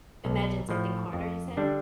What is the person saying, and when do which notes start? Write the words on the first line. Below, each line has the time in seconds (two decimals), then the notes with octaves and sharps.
Imagine something harder, you said?
0.25 B1
0.69 A2 F3
1.13 F2
1.57 D3 G3 D4